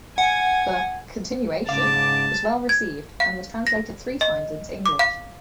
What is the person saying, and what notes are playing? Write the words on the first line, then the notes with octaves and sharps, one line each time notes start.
The "Continuation" was well received and was translated three times into English.
F#5 G#5
G#2 C#3 F5 A5 D6
G#6
F5
A#6
D#5
D6
F5